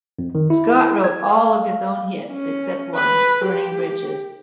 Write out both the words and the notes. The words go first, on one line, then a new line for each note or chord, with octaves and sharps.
Scott wrote all of his own hits, except one: Burning Bridges.
F2
D#3
E4
G#6
F5
C#4
B4
G4